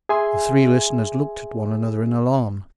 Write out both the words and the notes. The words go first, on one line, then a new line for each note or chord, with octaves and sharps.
The three listeners looked at one another in alarm.
G#4 E5 G#5 C6